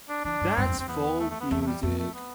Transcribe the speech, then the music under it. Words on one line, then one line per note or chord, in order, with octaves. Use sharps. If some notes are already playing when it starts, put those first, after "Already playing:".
That's folk music.
D4
E3 D4
G2
G2 C4
F2
E2
F2 C4
E2 B3
A3
A3
B3
E2 A3
A3
G3
F2 A3
A3
B3